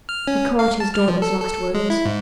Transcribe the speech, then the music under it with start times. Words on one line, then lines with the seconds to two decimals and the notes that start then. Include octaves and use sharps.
He caught his daughter's last words.
0.09 F6
0.28 C#4
0.59 F5
0.80 A5
0.94 F6
1.08 F3
1.22 A4
1.41 A4
1.74 G#3
1.90 E4
2.05 G#2